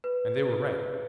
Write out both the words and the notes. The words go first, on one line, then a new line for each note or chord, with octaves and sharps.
And they were right.
B4